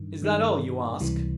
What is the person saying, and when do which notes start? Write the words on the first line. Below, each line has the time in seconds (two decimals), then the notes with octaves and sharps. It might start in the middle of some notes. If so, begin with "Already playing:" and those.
"Is that all you ask?"
Already playing: G2 D#3
0.22 G2 D#3 G3
1.00 C#2 C3 E3 G3